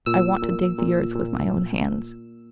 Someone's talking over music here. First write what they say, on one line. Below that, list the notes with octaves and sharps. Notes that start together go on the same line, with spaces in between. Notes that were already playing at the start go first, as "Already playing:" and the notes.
I want to dig the earth with my own hands.
A#2 E6
A#2
A#2
A#2